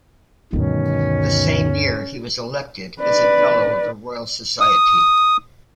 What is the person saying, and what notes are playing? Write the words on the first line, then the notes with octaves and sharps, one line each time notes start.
The same year he was elected as a Fellow of the Royal Society.
D2 G2 B2 D#3 C#4
B4 D5
D#6